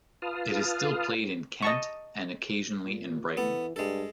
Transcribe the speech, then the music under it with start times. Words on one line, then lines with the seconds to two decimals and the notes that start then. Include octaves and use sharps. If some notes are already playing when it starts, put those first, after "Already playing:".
It is still played in Kent, and occasionally in Brighton.
0.22 F4 B4 F5 A5 D#6 F6
1.63 D#5 A5 C#6
2.84 A#2
3.37 E3 B3 A4
3.76 G2 G#3 A4